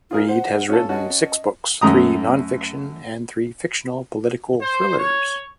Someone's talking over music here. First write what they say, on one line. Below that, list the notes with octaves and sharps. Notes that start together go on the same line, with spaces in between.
Reed has written six books; three non-fiction and three fictional political thrillers.
E4 F4 G#4 A#4
C5 F#5
C#4 F4 F#4 A4
C#4 F#4 D#5 A5
F#2 A3 A#5 D#6
C5
C#5